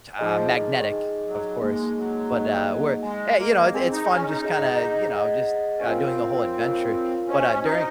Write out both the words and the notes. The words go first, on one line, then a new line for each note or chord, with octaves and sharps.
ch uh, magnetic, of course, but, uh, we're Eh, you know, it it's fun just kinda, you know, just, uh, doing the whole adventure, but, uh, during
F3 D#4 G#4 D#5
D#3
D#4 G#4 D#5
F#3
G#3 A#3 D#4 G#4 D#5
F#3
A#3 D#4 G#4 D#5
G#3 G#4 D#5 G#5
A#3
C4 G#4 D#5 G#5
D#4
C#4
D#4
G#4 D#5 F#5
G#4 D#5 F#5
C#4
C4 F4 A#4 C#5 F5 G#5
F4 A#4 C#5 F5 G#5
C#4 F#4 C5 D#5 G#5
D#4